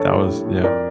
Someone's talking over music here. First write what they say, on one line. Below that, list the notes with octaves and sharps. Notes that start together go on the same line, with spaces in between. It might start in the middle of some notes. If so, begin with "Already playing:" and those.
That was yeah.
Already playing: A#1 A4 C#5
A2 G3
A#1
A2 G3
F2 A#4 D5